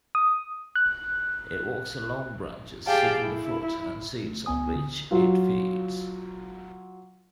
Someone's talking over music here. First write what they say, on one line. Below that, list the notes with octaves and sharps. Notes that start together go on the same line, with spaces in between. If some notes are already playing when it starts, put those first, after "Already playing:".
It walks along branches seeking the fruit and seeds on which it feeds.
D#6
F#6
G4 G#4 D5 F5 G5 A5
E4
A3
C#2 B3 G#5 D#6
D3
F#3 F4